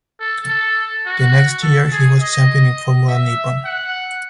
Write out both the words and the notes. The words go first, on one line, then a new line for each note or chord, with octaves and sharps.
The next year he was champion in Formula Nippon.
A4
A4
F#4
A4
G#4
D#5
E5
F#5